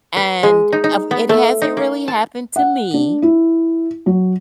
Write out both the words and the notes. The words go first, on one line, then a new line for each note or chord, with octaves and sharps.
And av it hasn't really happened to me,
B4
G#3
D#4
D#4
B3
A3
D#4
A#3
A5
F#5
D4
E4
F#3